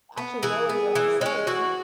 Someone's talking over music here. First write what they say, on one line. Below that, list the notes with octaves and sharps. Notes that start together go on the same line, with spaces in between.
actually knowing what I'm saying."
B3
E3 G#4
B3
E3
G#3 C#4
E3 F#4